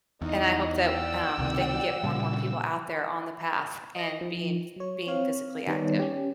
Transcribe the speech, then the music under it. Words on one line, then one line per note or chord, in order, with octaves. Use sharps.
And I hope that, um, they can get more and more people out there on the path and being, ph being physically active.
E2 D#4 D#5
D5 F#5 G5 E6
C#2 C3 D#3
A#2 C#3 G3
D#5 A#6
F3
F#3 C#5
C4 C#5 F5
D#3 G3 B3 D#4 C#5 D5
C#4 G4